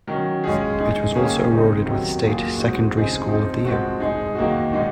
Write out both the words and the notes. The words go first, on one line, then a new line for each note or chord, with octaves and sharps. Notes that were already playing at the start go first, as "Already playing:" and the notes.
It was also awarded with State 'Secondary School of the Year'.
D#3 F#3 C#4
G#3 C#4 F4 G#4
G#3 D#4 G#4
D#3 A#3 C#4 G#4
C#3 G#3 C4 D#4
C3 D#3 F#3
F#3 A#3 F4 G#4
G#3 C4 D#4 F#4
C#3 F3 C4 D#4 G#4
F3 C4 D#4
F3 G#3 C4 F#4
G#3 D#4 G#4
D#3 A#3 D#4 F#4
A#2 G#3 D#4 F#4